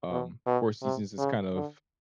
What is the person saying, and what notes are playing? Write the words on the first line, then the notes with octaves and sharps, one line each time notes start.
um, four seasons is kind of
B2
B2
C3
C#3
D3